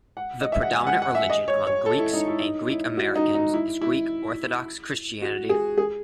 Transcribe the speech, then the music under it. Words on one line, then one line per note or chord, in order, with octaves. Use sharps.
The predominant religion among Greeks and Greek Americans is Greek Orthodox Christianity.
F#5
D#5
E5
F#5
G#5
F#5
F#5
E5
D#5
C#5
C#5
A4
E4
D#4
E4
D#4
E4
F#4
D#4
D#4
E4
E4
F#4
G#4
G#4